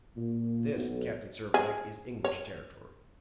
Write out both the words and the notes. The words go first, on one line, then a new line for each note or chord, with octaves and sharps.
This, Captain Servadac, is English territory.
A#2
B1
G#4
C#5